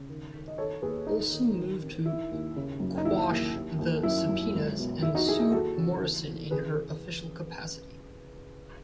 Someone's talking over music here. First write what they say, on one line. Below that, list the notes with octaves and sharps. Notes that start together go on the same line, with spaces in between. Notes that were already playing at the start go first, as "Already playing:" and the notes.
Olson moved to quash the subpoenas and sued Morrison in her official capacity.
Already playing: C#3
D#3
D#3
D#5
D#3 A4 C#5
D#2 G#4 B4
D#3 D#4
D#3
D#3
D#3
D#3 E4
D#2
C#3
F#2
D#4
D#2 E4
D#2
D#2
D#2
F#2 E4
F#2
C#2
B2
E2 E4
D#4 F#4
E2 E4 G#4
E4 G#4
D#2 F#4 A4
C#3
E3
E3
C#3 G#4 B4